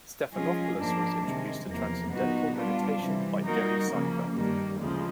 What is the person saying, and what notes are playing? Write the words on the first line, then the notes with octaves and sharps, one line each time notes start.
Stephanopoulos was introduced to transcendental meditation by Jerry Seinfeld.
F3 G#3 C#4 F4 G#4
G#2 F3 A#3 D4
C3 D#3 G#3
E2 C3 F3 A#3
A#2 F#3 B3 D#4 F#4
G3 B3 D4 F4
C3 E3 G3
G3 A#3 D#4 F#4 A#4
C#3 F3 A#3
G2 D#3 G3 A#3
D2 C#3 F3 G#3